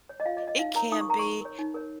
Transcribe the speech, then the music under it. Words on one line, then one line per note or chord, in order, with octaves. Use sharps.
It can be,
C#5
D#5
F4 F5
D#5
C#5
D#5
D#4 F5
A#4 C#5 A#5
D#4 D#6
C#6
A#4 C#5 A#5
C#6
D#4
A#4 C#5
D#4
A#4 C#5